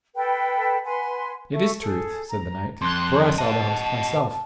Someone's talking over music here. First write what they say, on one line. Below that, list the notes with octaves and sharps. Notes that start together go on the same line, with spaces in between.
It is truth, said the knight, for I saw the host myself.
A4 B4 G5
B4 F#5 G#5 C6
A4 E5 C#6
G#4 A4
A#5
F2 C6 F#6
D#5 F#5 A5